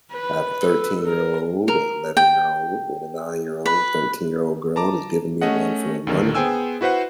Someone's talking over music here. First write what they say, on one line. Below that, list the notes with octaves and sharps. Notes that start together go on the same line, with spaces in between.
I have a thirteen-year-old, an eleven-year-old, and a nine-year-old, thirteen-year-old girl is giving me a run for her money
B4
A4
A#4
A#4
G5
B4
A5 A#5 D6
A3 C#4 D#5 F#5
D#2 D3 D#3
B3 G#4 C5 G5 G#5 E6
E4 F#4 B4 C5 F#5